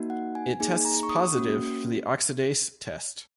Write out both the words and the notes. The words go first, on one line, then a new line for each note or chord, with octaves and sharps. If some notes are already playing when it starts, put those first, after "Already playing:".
It tests positive for the oxidase test.
Already playing: A#3 D#4 F#4
F#5
G#5
A#3 D#4 G#4 G#5
A#5
C#6
D#6
A#3 C#4 F#4